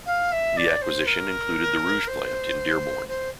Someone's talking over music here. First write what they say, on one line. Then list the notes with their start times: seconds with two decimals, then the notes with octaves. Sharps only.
The acquisition included the Rouge Plant in Dearborn.
0.05 F5
0.31 E5
0.56 D5
0.81 C5
1.06 A#4
2.07 C5
3.07 C5